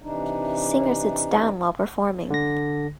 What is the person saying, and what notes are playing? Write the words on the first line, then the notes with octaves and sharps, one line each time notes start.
Singer sits down while performing.
C3 E3 D4 D#4
D3 A#6